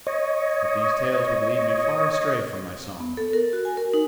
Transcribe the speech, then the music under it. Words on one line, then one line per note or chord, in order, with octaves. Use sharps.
But these tales would lead me far astray from my song.
C#5 D#5
B3
A4
A#4
F#4
G#5
A#4
D#4